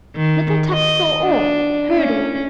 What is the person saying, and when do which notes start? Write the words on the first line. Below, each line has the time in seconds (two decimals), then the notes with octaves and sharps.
Little Tuk saw all, heard all.
0.16 D#3
0.73 D#5
1.23 D4
1.94 C#4